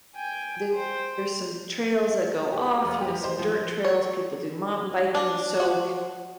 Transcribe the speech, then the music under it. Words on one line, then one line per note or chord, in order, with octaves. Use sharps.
there's some trails that go off, you know, some dirt trails, people do mountain biking, so
G5 G#5
C5 G5
G4
F1
G4
C5
F3
C#5
D4
F#4